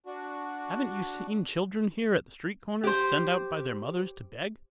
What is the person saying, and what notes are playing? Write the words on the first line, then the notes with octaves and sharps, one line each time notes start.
Haven't you seen children here at the street corners sent out by their mothers to beg?
D4 F#4
G4 C5